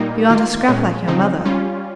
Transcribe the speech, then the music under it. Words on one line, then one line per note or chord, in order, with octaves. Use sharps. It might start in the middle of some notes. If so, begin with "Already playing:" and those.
You aren't a scrap like your mother.
Already playing: A#2 G3 A#3 D#4
D#3 A#3 F4
A#2 G#3 C#4
C#3 F3 C4 D#4
G3 C#4 F4